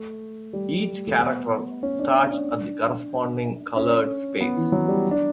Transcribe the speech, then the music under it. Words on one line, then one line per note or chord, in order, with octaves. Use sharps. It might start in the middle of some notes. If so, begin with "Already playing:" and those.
Each character starts at the corresponding coloured space.
Already playing: A3
G3
A3
B3
C#4
D4
D4
C#4
B3
E3
F#3
G3
D4